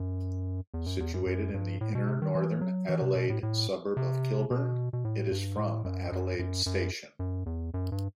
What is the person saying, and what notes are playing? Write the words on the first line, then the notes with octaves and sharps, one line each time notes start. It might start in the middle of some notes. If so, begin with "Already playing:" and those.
Situated in the inner northern Adelaide suburb of Kilburn, it is from Adelaide station.
Already playing: F#2
E2
F#2
E2
F#2
F#2
G2
A2
B2
C3
D#3
E3
F#3
E3
C3
B2
A2
A2
C3
B2
B2
A2
G2
A2
F#2
F#2
F#2
F#2
F#2
E2
F#2
G2